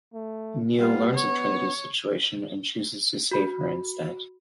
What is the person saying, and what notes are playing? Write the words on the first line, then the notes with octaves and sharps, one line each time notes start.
Neo learns of Trinity's situation and chooses to save her instead.
A3
G3 B3 F4
C#5
F#4 B5